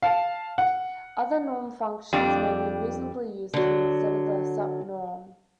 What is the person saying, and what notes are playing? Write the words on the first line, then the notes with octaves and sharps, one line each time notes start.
Other norm functions may be reasonably used here instead of the sup-norm.
F5 A5
F#5
F2 G3 D4
D3 F#3